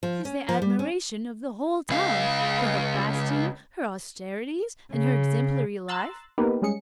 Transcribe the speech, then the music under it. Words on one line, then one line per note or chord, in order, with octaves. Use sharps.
She is the admiration of the whole town, for her fasting, her austerities, and her exemplary life.
F3
C#4
F3
G3
C#4
C#2 F5
C#3
A#5 C6 E6 F#6 A6
A#3 B3 D#4 G4 A#4 B4
G3 G#3 C#4 G#4 C#7